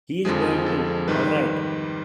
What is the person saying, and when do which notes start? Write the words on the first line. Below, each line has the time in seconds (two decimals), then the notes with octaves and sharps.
He's going to, all right.
0.25 F2 D3 F3 G#3 G#4
0.66 A4
1.07 G#2 D#3 G3 B4